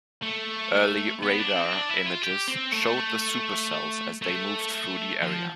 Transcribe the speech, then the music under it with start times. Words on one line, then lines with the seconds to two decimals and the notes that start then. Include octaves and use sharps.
Early radar images showed the supercells as they moved through the area.
0.22 A3
1.23 B3
1.39 D4
1.56 C4
1.72 D4
1.89 E4
2.06 F4
2.23 G4
2.47 C4
2.72 A3
4.22 A3
5.22 F3